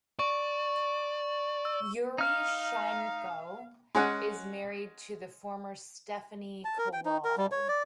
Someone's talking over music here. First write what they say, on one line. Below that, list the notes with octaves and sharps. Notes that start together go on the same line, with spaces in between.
Yuri Shymko is married to the former Stephanie Kowal.
D5 C#6
E6
D#4 F5 F6
G#3 C#4 F#5
A5
A#4
G5
D#4
A#4
G3
C#5
D5